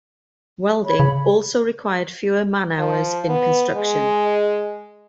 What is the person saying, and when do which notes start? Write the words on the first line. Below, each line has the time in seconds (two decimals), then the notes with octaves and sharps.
Welding also required fewer man-hours in construction.
0.84 C#5 B5
1.00 C#3
2.79 F3
3.29 B3
3.75 G#3